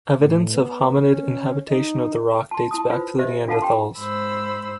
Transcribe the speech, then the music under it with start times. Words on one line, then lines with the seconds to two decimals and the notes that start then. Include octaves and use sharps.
Evidence of hominid inhabitation of the Rock dates back to the Neanderthals.
0.21 A2
0.55 B3
1.03 C#4
1.70 D#4
2.51 A5 C6
2.71 E4 A5 D#6
2.91 F4 B4 C5
3.19 G4 B4 C5 D#5 E5
3.47 D4 F4 A4 F5 F#5 A5
3.62 G5 C6
3.99 G#2 C5 B5 E6